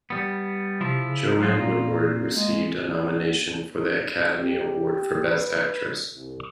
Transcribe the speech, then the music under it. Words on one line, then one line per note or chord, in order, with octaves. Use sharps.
Joanne Woodward received a nomination for the Academy Award for Best Actress.
G3 B3
C3 F3 E4 F4
C#3
F#3 G#3 C4 F4
A#2 A#3 F4
G#3
G4
B4
C2